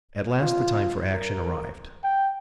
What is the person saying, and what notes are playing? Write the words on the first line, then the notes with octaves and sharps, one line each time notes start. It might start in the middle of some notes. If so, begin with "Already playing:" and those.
At last the time for action arrived.
F4
A#4
G5